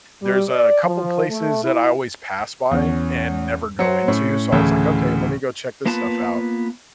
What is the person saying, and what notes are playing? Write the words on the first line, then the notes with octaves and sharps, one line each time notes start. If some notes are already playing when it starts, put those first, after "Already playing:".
there's a couple places that I always pass by, and never go into, so, I was like, "Okay, let me go check this stuff out,"
G3
D5
F3
A3
E4
E2 C#4
F#3 C5 C#7
A2 C#4
D2 A2 C#3 E3
A#3 B3 F4 B4 A5